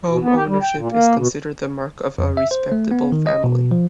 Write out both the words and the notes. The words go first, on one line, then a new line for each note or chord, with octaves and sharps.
Home ownership is considered the mark of a "respectable" family.
B2
B3
G4
G3
G5
A#2
A#3
B2
F2
E5
C5
A3
B3
D#3
D#5
B2
F3